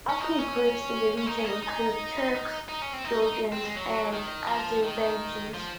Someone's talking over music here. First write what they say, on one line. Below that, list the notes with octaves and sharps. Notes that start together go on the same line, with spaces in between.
Ethnic groups in the region include, Turks, Georgians and Azerbaijanis.
C#4
D#4
C#4
C#4
D#4
C#4
D#4
D#4
D#4
C#4
C4
D#4
D#4
C4
G#3
F#3
D#3
F3
D#3
F3